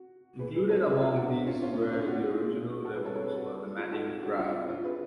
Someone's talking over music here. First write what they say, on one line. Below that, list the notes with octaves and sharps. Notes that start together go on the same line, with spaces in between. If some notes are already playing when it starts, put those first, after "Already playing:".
Included among these were the original demos for The Madding Crowd.
Already playing: F#4
G#4 B4
G#4 B4
A4 C#5
G#4 B4
F4 G#4
D4 F#4
C#4 F4
C#4 F4
C#4
D4
C#4 F4
D4 F#4
F4 G#4
F#4 A4
G#4 B4
A4 C#5
A4 C#5
G#4 B4
F#4 A4
F4 G#4
F#4 A4
D4 F#4
C#4 F4
D4
C#4 F4
G#4 B4